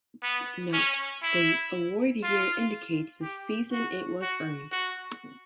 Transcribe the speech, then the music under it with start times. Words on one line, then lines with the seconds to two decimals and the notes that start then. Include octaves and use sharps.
Note: The award year indicates the season it was earned.
0.23 B3
0.73 C#4
1.23 E4
2.23 F4
3.22 G4
3.72 F#4
4.22 F#4
4.72 F#4